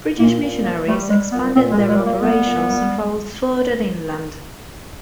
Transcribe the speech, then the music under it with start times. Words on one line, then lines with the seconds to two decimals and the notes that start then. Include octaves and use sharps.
British missionaries expanded their operations and travelled further inland.
0.19 A#2 A#3
0.42 A#2
0.64 G3 A#3
0.87 G3 A3
1.09 G3 G#3
1.31 A#2 B3
1.54 A#2 C4
1.72 G#3
1.77 A#2
1.88 G#3
1.99 A#2
2.05 A#3
2.22 G3 B3
2.45 A#2
2.67 G3